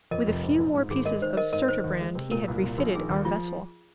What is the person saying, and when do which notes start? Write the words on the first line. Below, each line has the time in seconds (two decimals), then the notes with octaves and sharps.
With a few more pieces of surturbrand he had refitted our vessel.
0.11 F2 A#4 D#5
0.27 F1
0.43 G#2
0.59 A#1
0.74 G#2
0.90 G#1 G#4
1.06 G#3 A#4 D#5
1.21 D#3 C5
1.37 D#3 A#4 D#5
1.53 G#2 A#4 D#5
1.68 D#3 C5
1.84 D#2
2.01 G#3
2.15 C3
2.31 A#2 A#4
2.48 C2
2.63 A#2
2.78 A#1
2.95 D#3 G#4
3.10 D#2
3.25 F3 F4